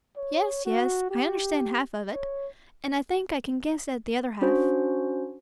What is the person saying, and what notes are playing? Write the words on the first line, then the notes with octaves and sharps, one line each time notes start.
"Yes, yes; I understand half of it, and I think I can guess at the other half."
C#5
F#4
G4
C#5
C#4 D4 F#4 C5